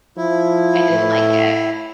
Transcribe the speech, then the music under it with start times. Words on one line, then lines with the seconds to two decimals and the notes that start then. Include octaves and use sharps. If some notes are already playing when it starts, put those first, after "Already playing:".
I didn't like it.
0.17 F3 E4
0.91 A2